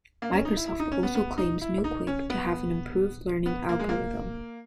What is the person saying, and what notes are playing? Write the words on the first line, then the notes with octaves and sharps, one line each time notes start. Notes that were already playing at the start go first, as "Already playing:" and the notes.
Microsoft also claims New-Quick to have an improved learning algorithm.
A#3
C#4
D#4
E4
E4
D#4
C#4
B3
B3
D#4
E4
D#4
C#4
B3
B3
A#3
G#3
A#3